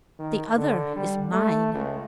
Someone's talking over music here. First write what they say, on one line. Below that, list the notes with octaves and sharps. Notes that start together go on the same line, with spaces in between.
The other is mine.
D#3
D3
G3
A3
C#2